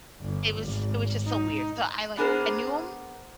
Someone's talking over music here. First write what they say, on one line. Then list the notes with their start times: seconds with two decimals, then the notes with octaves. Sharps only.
it was it was just so weird. So I, like, I knew him
0.21 G1
0.60 G#1
1.27 D#4
2.17 B3 D4 G#4 A#4 C5